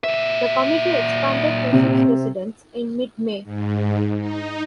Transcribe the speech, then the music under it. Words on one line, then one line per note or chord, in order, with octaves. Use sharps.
The committee expanded to six residents in mid-May.
A#2 E5
C3
G#2
D#4